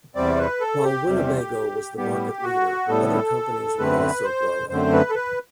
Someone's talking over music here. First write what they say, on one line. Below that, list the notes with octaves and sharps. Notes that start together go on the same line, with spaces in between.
While Winnebago was the market leader, other companies were also growing.
E2 C3 G3 C4 D5
B4
A4
G4
E2 C3 G3 C4
A2 G3 B3 G4
F#4
A2 G3 B3 A4
F#2 D3 A3 C4 B4
C5
F#2 D3 A3 C4 C5
B4
A4
B4